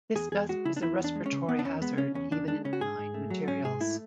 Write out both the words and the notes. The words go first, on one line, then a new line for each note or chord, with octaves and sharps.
This dust is a respiratory hazard, even in benign materials.
E2 G#4
E2 G#4
G#3 F#4
C#3 E4
D4
E2 E4
E2
D4
G#3
C#4
C#3
E2 B3
D4
E2 C#4
G#3 B3
C#3 C#4
E2 C#4
E2 D4
G#3 D4
C#3 C#4
F#4
G#2 G#4
G#2
A3
F#3
G#2 C#4
G#2 G#4
A3 E4